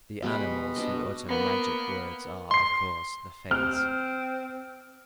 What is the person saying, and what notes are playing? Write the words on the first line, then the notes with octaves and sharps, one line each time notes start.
The "animals" who utter magic words are, of course, the Fates.
B2 G3 G#3 B4
B2 D4 D#5
A#3 B3
C6 C7
C4 F6